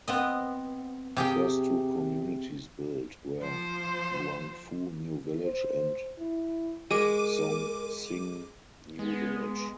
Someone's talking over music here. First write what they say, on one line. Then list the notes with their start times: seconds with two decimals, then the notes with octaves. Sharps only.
The first two communities built were Guangfu New Village and Zhongxing New Village.
0.08 B3 C4 D#5
1.16 C3 G4 G#4 G5
3.39 F3 C5
5.44 C5
6.19 E4
6.91 G#3 A#4 D6 D#7
8.99 G#3 B3